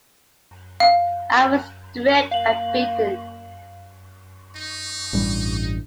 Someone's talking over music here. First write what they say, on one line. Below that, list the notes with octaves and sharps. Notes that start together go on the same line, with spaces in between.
I was stripped and beaten.
F5
A#3 F5 F#7
D#4
A1 G2 G3